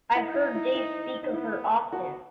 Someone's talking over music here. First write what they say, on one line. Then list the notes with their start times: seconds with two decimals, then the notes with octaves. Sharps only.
I've heard Dave speak of her often.
0.15 D#4 E4
0.34 E4
0.55 E4
0.75 E4
1.23 D#4
1.33 B3 E4
1.93 B3 F#4